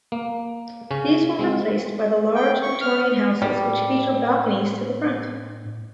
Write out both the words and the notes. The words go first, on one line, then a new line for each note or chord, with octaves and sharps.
These were replaced by the large Victorian houses which feature balconies to the front.
A#3
C#3 C#4
G#3 C4
G5
C#6
F6
A2 G3